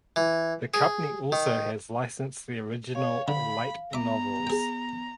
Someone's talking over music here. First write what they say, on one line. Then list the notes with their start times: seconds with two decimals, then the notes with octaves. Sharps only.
The company also has licensed the original light novels.
0.16 E3
0.74 G#4
1.32 D#3
2.95 C#5 F5
3.28 D3 B5
3.93 B3 E5 A#5 D6
4.47 G#4 G5